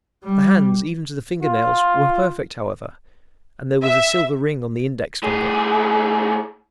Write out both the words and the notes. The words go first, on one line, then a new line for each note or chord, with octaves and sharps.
The hands, even to the finger nails, were perfect, however, and there was a silver ring on the index finger.
G3
F4
E5
A2 G#4